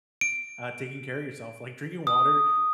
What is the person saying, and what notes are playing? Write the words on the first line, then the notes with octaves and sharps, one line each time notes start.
uh, taking care of yourself. Like drinking water.
D7
D#6